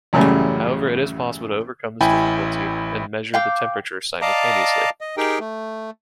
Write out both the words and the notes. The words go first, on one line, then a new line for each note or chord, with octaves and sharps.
However, it is possible to overcome this difficulty and measure the temperature simultaneously.
A1 F#2 C#3 G3 A3
A1 E4 G5 G#5 B5
F5 G5 D6
D5 D#5 F5 A5 A#5 D6
D#5
D#4 G4 G#4 A#4 G5
A3